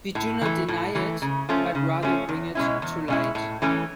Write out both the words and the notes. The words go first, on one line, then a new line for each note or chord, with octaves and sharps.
We do not deny it, but rather bring it to light.
A2
E3 A3
A2
E3 A3
C#3
F3 A3 C#4
C#3
F3 A3 C#4
E2
B2 G#3 C#4 E4
E2
B2 G#3 C#4 E4
A2
E3 A3 C#4